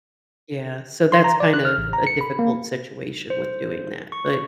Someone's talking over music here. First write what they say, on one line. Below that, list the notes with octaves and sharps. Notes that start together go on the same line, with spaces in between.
Yeah. So, that's kind of a difficult situation with doing that. But,
C6
A#5
D5
F#6
F6
A1
A#5
C#7
B5
A#3
C5
C#6